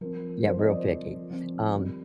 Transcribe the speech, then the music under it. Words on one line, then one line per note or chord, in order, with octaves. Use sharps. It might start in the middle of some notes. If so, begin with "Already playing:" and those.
Yeah, real picky. Um
F3 C4 A#4
F3 C4 C5
D#5
D5
F3 C4
F3 C4
D#3 G3 C4